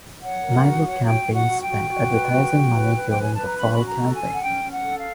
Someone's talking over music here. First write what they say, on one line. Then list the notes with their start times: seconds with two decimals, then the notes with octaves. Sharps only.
Neither campaign spent advertising money during the fall campaign.
0.21 C#5 F#5
0.42 A#4
0.63 F#4
0.85 C#5
1.05 F#4 G5
1.27 F#4
1.33 F#5
1.47 F#4
1.61 G5
1.68 F#4
1.90 F#4
2.10 B4
2.31 F#4
2.52 F#4
2.74 B4
2.95 B4
3.09 G5
3.16 B4
3.22 G#5
3.33 B4 A5
3.46 A#5
3.58 C#4 B5
3.75 F#4 B5
3.86 A#5
4.00 A4
4.14 G#5
4.21 C#4
4.32 F#5
4.42 C#4 G5
4.63 C#4
4.70 F#5
4.84 A4
4.98 F5